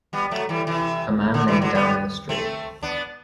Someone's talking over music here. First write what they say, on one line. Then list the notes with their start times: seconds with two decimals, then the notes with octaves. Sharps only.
A man laying down in the street.
0.13 G3 B3
0.31 F#3 A3
0.49 E3 G3
0.67 C3 E3
1.34 D3
1.48 C3 E3
1.62 D3 F#3
1.75 G3 B3
2.29 A3 C4
2.83 B3 D4